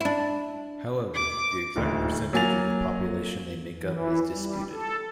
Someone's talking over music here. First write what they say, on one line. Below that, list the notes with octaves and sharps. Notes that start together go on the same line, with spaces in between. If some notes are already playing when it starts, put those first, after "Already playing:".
However, the exact percentage of the population they make up is disputed.
D4 E4
D6
D#1 D2
F#3 A#3 G#5 A6 F7
E3
G3
A4